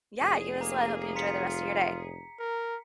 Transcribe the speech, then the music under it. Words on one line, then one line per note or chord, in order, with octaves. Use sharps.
Yeah, you as well. I hope you enjoy the rest of your day.
F1 G#4
A#3 A#5
F4 A#5 B6 C#7
A#4